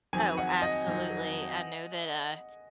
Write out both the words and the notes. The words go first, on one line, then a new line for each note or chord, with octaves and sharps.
Oh, absolutely. I know that, uh,
F2 D#3 F#3 C4 G#5
F#5
D#5
F2 D#3 F#3 C4